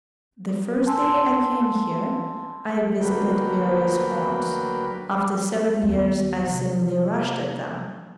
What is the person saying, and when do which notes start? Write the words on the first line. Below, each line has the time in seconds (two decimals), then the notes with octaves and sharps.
The first day I came here I visited various haunts, after seven years I simply rushed at them.
0.86 G#5 A5 C6 E6
3.01 D2 F#3 A#3 B4 G5
5.82 D#2 B3
6.44 C3